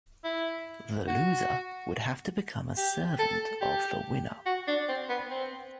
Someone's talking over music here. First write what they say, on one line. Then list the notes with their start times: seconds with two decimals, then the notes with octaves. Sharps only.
The loser would have to become a servant of the winner.
0.24 E4
1.08 F#4
2.77 G4
3.19 A4
3.61 G4
4.46 F#4
4.67 D4
4.89 C4
5.09 B3
5.30 C4